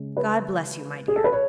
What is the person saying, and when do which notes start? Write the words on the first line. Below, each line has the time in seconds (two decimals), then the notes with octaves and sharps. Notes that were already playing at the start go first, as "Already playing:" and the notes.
God bless you, my dear!
Already playing: C#3 G#3
0.17 B4
1.08 G#4
1.16 A4
1.24 B4
1.33 C#5